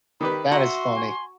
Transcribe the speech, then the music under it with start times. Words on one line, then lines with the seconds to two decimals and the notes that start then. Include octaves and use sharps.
That is funny.
0.20 D#3 G4 B4 B5
0.52 F#4 E5 A#5 C6
0.96 G#5